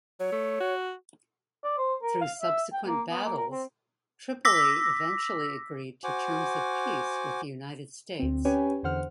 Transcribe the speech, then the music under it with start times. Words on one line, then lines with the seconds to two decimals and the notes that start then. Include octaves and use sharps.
Through subsequent battles, Tripoli eventually agreed to terms of peace with the United States.
0.20 F#3 C#5
0.32 A3
0.60 F#4
1.64 D5
1.78 C5
2.03 A#4
2.21 F5
2.41 E5
2.73 G5
2.87 A#3
3.10 B3
3.24 A#3
3.37 A#4
3.51 C4
4.45 D6 E6 A#6 B6
6.04 F#4 C5 F#5 G#5 D6
8.19 D2 C4
8.45 C#4 G4 B4 C#5 G5 G#5
8.83 E2 D3 C5 F#5 F6